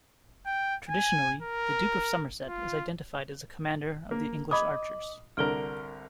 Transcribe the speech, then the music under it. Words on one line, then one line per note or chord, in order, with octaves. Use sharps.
Traditionally, the Duke of Somerset is identified as the commander of the English archers.
G5
G#5
A#4
F4
A#3
D#5 B5 D6 D#6
C2 D3 A#4 F6 D7 G7